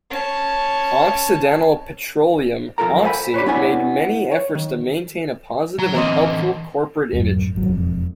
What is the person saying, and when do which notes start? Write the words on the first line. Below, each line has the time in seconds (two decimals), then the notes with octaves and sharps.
Occidental Petroleum, Oxy, made many efforts to maintain a positive and helpful corporate image.
0.10 C#4 A5
2.78 B1 F2 F4 A4 A#4 A#5
3.03 A4 C5 D5 F5 G#5 B5
3.34 B4 C#5 D5 B5
3.46 B3 D4 E4 C#5 D5 G#5
4.31 C#5
4.55 D#3
5.79 F#3 A#5
5.94 D3 E3 A#3 C4 D#5
7.13 D1 G#1 F#2
7.55 D1 G#1 F#3
7.67 E1 F2